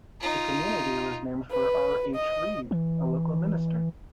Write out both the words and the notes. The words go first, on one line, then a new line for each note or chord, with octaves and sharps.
The community was named for R. H. Reid, a local minister.
D#4 F4
B4
D#5
E3